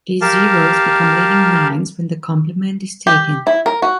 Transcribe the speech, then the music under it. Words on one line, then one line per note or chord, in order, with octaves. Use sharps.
These zeros become leading nines when the complement is taken.
G4 A#4 F5 A5
G4
E4
A#4
F#4